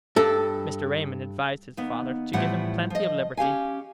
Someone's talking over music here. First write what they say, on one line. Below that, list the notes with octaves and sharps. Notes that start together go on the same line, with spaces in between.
Mr. Raymond advised his father to give him plenty of liberty.
G2 A4
D#2 B3
A2 E3 F3 G3 E4 F#5
F3 D#5
C#4 G4 F5 G#5